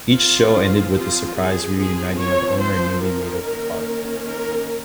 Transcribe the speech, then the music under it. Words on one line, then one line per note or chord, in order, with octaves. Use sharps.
Each show ended with the surprise reuniting of owner and newly made-over car.
F3 C4 F4
F4
G#4
F3 C4 G#4
C#5
C5
A#4
D#3 A#3 C#4
A#4